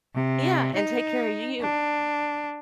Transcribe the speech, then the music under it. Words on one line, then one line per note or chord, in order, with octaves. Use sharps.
Yeah, and take care of you.
C3
D#4
D4